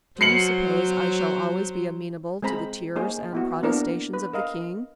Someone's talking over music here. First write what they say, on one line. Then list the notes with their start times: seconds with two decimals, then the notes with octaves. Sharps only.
Do you suppose I shall always be amenable to the tears and protestations of the king?
0.21 F#3 C5 C7 C#7 F#7
2.42 G#3 C4 C5 A#5 B5
2.96 A#3 D#4 G#4 C5 C#5
3.33 B3 E4 F#4
3.63 A#3 B3 D4 E4 A#4 C5
4.13 B4
4.33 A#4 D#5 F5